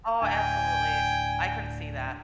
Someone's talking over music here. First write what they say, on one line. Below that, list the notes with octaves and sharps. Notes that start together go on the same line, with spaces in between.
Oh, absolutely. I can see that.
D2 A2 D4 G5 G#5